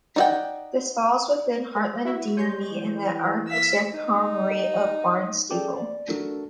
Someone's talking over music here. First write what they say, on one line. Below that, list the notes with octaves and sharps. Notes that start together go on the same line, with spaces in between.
This falls within Hartland Deanery, in the Archdeaconry of Barnstaple.
D#4 D5 D#5 F#5 G5
E4 F#4 E5
G3 C#5 C6 G6
E3
A#3 E5 F5 E6 B6
D#4
C#4 G#4 A4 D5 G5 D6
D5
A3 D4 F#4 A4 A#4